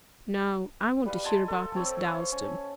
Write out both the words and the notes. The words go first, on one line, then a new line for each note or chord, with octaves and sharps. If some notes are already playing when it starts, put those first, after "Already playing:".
Now I want to hear about Miss Dalstan.
G3 B4 F5
D#5 G#5 A5 C6
A4 C6
C4 C#5
C5 C#5 F5
C#4